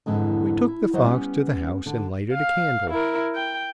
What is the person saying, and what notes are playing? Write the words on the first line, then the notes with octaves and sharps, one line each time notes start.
We took the fox to the house and lighted a candle.
F2 G#2 D3 E3
E4
F#3 C5 D#5 F5
G3 B3 C#4
D3
F5
E4 A#4
G5